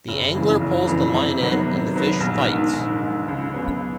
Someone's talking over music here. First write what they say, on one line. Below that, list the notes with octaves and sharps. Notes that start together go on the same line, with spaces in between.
The angler pulls the line in and the fish fights.
F#1
F2 C#3 E3
F#1
F2 C#3 E3
C3
D#3 F#3 B3
C3
D#3 F#3 B3
A#1
G#2 D#3
A#1
G#2 D#3
C#2
C#3 F#3 B3